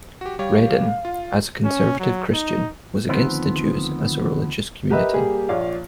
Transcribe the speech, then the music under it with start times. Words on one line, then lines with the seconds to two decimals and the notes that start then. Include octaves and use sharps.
Rhedin, as a conservative Christian, was against the Jews as a religious community.
0.21 F#4 G4
0.39 G3 G4 C#5 F5
1.05 F4
1.64 C#4
2.00 F#3
2.32 D#4
3.09 D2 D#3 F3 B3 C4
4.90 G4 A#4 B4 D#5 E5
5.13 G3 A#3 G4 G#4
5.49 A#1 F4 C#5 D5 F5